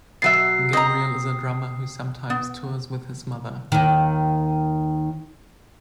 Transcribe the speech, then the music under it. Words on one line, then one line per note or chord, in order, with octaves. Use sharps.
Gabriel is a drummer who sometimes tours with his mother.
B2 F#3 E5 C7
C4 D#5 A#5
B3
D#2 D#3